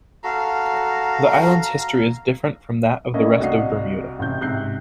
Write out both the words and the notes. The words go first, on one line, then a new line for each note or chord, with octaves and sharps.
The island's history is different from that of the rest of Bermuda.
F#4 A4 F5 A#5
A3 A#3 C#4 D4 D#5
C2 D4 F#4 D#5 F5 C7
A1 C3 G6
G#2 C3 F#6 G6 C7